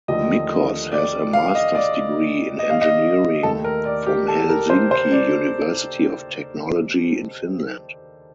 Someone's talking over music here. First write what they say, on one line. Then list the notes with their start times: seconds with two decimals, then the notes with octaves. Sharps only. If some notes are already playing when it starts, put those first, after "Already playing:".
Mickos has a master's degree in Engineering from Helsinki University of Technology in Finland.
0.08 D#2 D3 F3 A3 D#5
0.92 D5
1.33 F5
1.55 D#5
1.75 D5
2.59 D#5
2.70 F5
2.82 D#5
3.43 D#2 D#3 A3 A4
3.64 A#4
3.85 D5
4.06 G4
4.28 A4
4.49 A#4
4.70 C5
4.91 C5
5.12 D5